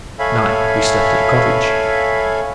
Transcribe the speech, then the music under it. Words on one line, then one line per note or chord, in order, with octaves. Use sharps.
At night we slept at a cottage.
A4 C#5 E5 F5 G#5 B5